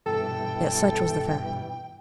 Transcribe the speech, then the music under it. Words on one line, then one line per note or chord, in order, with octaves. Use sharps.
Yet such was the fact.
G2 B2 E3 A4 G5